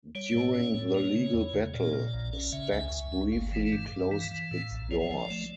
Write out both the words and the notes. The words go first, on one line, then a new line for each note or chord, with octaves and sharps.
During the legal battle, Stax briefly closed its doors.
G3 C#5
A2
C#4
A2
A#3
C#3
E2
C#3
A#2 D5
A#2
A#1
C#4
C#3 E5
C#2
C#2
C#2
G1 F5
E3
G2
G2
E3
E3
A2
A#1
F3 C#5
F3
D5
A3